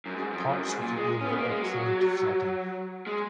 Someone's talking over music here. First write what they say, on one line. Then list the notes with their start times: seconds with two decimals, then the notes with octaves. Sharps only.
Parts of the area are prone to flooding.
0.06 F#2
0.16 G#2
0.32 F2
0.49 F#2
0.65 G#2
0.81 A#2
0.96 G#3
1.21 C#4
1.25 B3
1.38 A#3
1.49 G#3
1.61 F#3
3.07 G#3